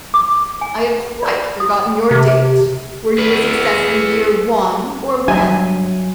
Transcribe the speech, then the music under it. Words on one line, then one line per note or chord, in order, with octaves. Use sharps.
"I have quite forgotten your date; were you a success in the year one, or when?"
D6
G#5
D5
D#6
C3
G#4 B4
G2 F#3 E5 G#5